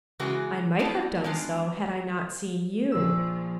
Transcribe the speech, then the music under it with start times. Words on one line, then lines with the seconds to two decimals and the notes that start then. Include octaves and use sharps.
I might have done so, had I not seen you.
0.19 C#3 E3 G#3 F#4 G#4 B4
0.79 G3 B3 E4 F5 A5
1.24 G#3 B3 D4 F4
2.92 A#1 F3 E6